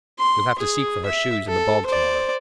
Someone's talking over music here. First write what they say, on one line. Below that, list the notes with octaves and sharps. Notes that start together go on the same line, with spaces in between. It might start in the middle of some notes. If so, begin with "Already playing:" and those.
You'll have to seek for her shoes in the bog to-morrow.
C6
G#4
E5
A4
C5 D5